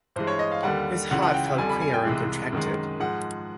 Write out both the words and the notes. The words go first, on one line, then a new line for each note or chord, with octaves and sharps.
His heart felt queer and contracted.
G2 E3 G#3 C5
C#5
D#5
F5
D#2 D3 G3 F#5
C#2 C#3 E3 F#5
F#5
G5
G5
F2 D3 G3 G#5
B5
G#5
G5
C2 C3 E3 G#3
F#2 D#3 G#3
G#2 F3 G#3 F#5